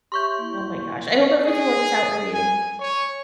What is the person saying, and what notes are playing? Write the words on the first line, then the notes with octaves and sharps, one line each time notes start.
Oh, my gosh. I hope everything works out for you.
G4 C#5 E5 C6 C#6 G6
A#3 E4
G#4
G#5
C#5